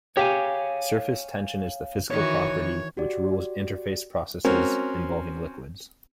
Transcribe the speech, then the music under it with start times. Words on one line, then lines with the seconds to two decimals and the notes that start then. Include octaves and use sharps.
Surface tension is the physical property which rules interface processes involving liquids.
0.17 G4 C#5 F5 G#5
2.11 D#3 E3 F#4 C#5
2.97 F#4 G4 D5
4.45 C4 C#4 F#4 A#4